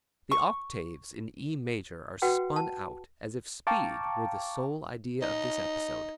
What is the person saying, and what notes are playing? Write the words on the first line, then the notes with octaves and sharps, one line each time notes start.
The octaves in E major are spun out as if speed were the sole idea of this episode.
C#6
F#4 B4 F#5 G5
A5
F5 G5 A5 A#5 C#6 D6
D#4